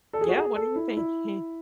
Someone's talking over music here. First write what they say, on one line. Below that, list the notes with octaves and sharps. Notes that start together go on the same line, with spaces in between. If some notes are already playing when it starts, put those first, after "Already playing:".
Yeah, what do you thinking?
A4
G#4
F#4
G#4
A4
E4
E4